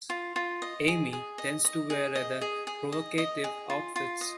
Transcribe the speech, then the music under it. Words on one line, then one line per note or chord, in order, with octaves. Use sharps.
Amy tends to wear rather provocative outfits.
F4
F4
D#5
G#4
G#4
D#5
D#5
G#4
D#5
G#4
G#4
D#5
D#5
G#4
F4
F4
D#5